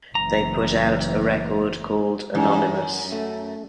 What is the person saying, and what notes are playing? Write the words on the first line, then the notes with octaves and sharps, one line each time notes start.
They put out a record called Anonymous.
F#1 E3 A#5
F#2 E3 G3
A3